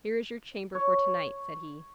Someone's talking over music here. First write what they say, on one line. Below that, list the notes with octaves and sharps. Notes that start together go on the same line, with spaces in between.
"Here is your chamber for to-night," said he.
C#5